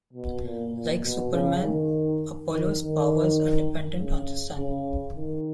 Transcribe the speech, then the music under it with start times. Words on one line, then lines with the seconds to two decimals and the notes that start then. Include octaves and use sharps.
Like Superman, Apollo's powers are dependent on the sun.
0.13 B2
0.44 A#2
0.73 A#2
1.03 B2
1.32 C#3
1.62 D#3
2.50 D#3
2.80 D#3
3.98 C#3
4.57 C#3
5.16 D#3